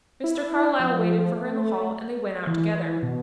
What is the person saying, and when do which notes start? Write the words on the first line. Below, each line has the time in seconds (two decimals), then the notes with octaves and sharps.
Mr. Carlyle waited for her in the hall, and they went out together.
0.24 E4
0.80 F3
1.36 A3
2.47 E3
3.03 B2